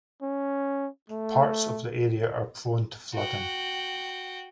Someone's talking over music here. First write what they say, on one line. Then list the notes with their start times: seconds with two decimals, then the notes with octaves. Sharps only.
Parts of the area are prone to flooding.
0.22 C#4
1.10 A3
3.14 F#4 G5